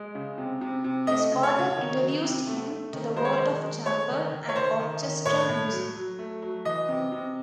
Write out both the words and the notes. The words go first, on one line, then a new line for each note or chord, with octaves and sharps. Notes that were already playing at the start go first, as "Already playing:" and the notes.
His father introduced him to the world of chamber and orchestral music.
Already playing: G#3
C#3
C3
C3
C3
A3 D#5
C#3
C#5
C#3
D#3
F#3
C3
A3
A3
D#3
G#3 C5
C#5
C5
D#3
G#3
A3 C#5
D#3
D#3
C#5
D#3 C5
D#3
D#3
A2 C#5
A2
F#3
F#3
A3
F#3
E3 D#5
C3
C3